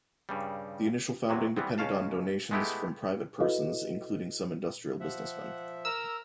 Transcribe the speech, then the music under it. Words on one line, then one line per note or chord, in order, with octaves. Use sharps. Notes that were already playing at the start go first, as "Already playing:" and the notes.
The initial founding depended on donations from private persons including some industrial businessmen.
G2 C#3 G3
E2 C3 F#3
E3 G3 B3 C4
C#2 C#4 F5 A5
G#3 A3 B3 E4 G4
E4 F#4 A4 B4 D#5 F5
F3 E5 F#5
A#4 E6